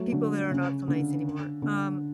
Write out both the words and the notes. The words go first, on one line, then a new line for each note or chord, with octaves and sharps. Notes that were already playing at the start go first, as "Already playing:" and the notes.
people there are not so nice anymore. Um,
Already playing: F#3 A3
D3
C#3
D3
D3